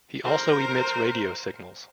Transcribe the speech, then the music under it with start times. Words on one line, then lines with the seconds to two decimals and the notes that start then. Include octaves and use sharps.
He also emits radio signals.
0.24 A#4 C5